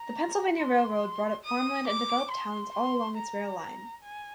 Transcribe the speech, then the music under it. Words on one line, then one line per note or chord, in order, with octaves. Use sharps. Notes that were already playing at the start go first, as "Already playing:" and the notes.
The Pennsylvania Railroad bought up farmland and developed towns all along its rail line.
Already playing: A#5
C6
D#6
D6
C6
C6
A#5
G#5